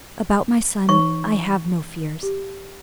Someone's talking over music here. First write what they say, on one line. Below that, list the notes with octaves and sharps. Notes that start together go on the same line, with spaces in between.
About my son, I have no fears.
E3 D#4 C#5 C#6
G4